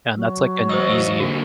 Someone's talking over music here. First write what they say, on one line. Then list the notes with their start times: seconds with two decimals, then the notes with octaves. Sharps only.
And that's like an easy
0.15 F#3
0.69 E2 C5 D#5 D#6 E6
1.20 D3 A#3 F#4